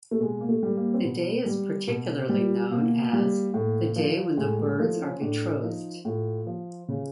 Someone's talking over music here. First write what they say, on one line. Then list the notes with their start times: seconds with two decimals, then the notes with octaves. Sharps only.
The day is particularly known as "the day when the birds are betrothed".
0.11 A3
0.20 B2 G#3
0.41 A#3
0.49 A3
0.63 G3
0.76 A#3
0.94 C4
1.04 B2 B3
1.46 G3
1.87 B2
2.29 G3
2.71 B2 A#3
3.13 G3
3.54 A2
3.96 F3
4.37 A2 G#3
4.59 G#3
4.79 F3 A3
5.01 C#4
5.21 A2 D4
5.63 F3 D#4
6.05 A2 F4
6.47 F3
6.88 C#3